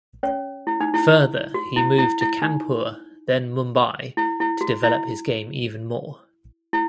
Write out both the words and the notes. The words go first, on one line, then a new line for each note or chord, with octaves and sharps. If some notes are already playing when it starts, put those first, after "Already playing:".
Further he moved to Kanpur then Mumbai to develop his game even more.
C#4 C#5
E4
D#4
E4
F#4
E4
E4
E4
D#4
E4
E4
F#4
E4
E4